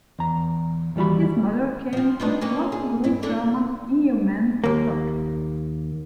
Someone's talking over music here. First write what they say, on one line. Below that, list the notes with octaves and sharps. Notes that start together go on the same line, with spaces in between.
His mother came of well-to-do German yeoman stock.
E2 A#5
D#2 E3 G3 F#4 B5
F3 C4
B3 D4 D#4
A#3 C4 C#4
G#4
G2 E4
D4 E4 A4
D#2 A#3